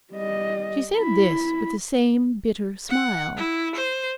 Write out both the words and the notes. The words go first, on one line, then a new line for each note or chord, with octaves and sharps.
She said this with the same bitter smile.
G3 D#5
E4 B5
F#5
E4
C5